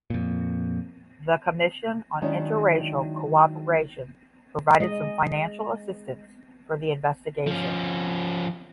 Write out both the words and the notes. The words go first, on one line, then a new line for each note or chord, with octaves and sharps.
The Commission on Interracial Cooperation provided some financial assistance for the investigation.
F2 A#2
D#3 F#3 G#3 C#4 D4 E4
G#3 D#5
F3 C#4